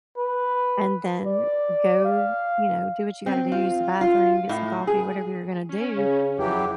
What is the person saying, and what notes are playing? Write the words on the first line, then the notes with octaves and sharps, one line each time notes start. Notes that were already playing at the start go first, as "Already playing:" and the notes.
and then, go you know, do what you gotta do, use the bathroom, get some coffee, whatever you're gonna do,
B4
D5
F5
C4
F4
F4
A2
G#4
C#4
C#3
F2 E3 F#3 G4